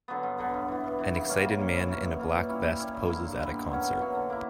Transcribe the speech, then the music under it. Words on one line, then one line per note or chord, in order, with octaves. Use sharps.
An excited man in a black vest poses at a concert.
D3 F#3 B3
G2
D3 F#3 B3
G2
E3 B3
G2
E3 B3
C#3
G3 A#3 C#4
C#3
G3 A#3 C#4
F#2
E3 A#3 C#4
F#2
E3 A#3 C#4
A#2
G3 C#4 E4
A#2
G3 C#4 E4
G2
D3 A#3 E4
G2
D3 A#3 E4
B2
F#3 A#3 C#4
B2
F#3 A#3 C#4
D3
A#3 E4